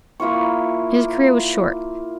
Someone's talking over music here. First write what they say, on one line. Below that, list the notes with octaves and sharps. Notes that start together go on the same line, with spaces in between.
His career was short.
A#3 E4 F4 C#6